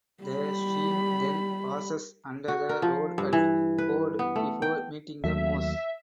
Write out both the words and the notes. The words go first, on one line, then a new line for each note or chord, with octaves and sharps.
The stream then passes under the road at Ford before meeting The Moss.
G3 B5
F#4
A#4
F3
G2
E3
B4
B3
A3
G5
D#2 F#3 A3 E5